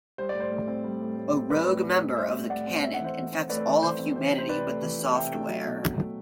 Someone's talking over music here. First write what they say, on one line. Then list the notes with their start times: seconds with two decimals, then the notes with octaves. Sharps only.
A rogue member of the Canon infects all of humanity with the software.
0.18 G3 C5
0.29 A2 D5
0.40 C5
0.51 A2
0.68 C4
0.84 G3
1.01 A2
1.17 A2
1.34 C4
1.50 G3 B4 D5
1.68 A2
1.84 A2
2.01 C4
2.17 G3 C5 E5
2.34 A2
2.50 A2 D5 F#5
2.67 C4
2.83 A3 E5
2.94 F#5
3.00 E3 C5 E5
3.17 E3
3.33 C4
3.50 A3 B4 D5
3.66 E3
3.83 E3 C5
3.99 C4
4.16 E3 C5
4.33 C3
4.38 C5
4.49 C3 B4 D5
4.66 A3
4.82 E3
4.99 C3
5.15 C3 E5 G5
5.33 A3
5.48 F#3
5.65 B2
5.82 B2
5.98 A3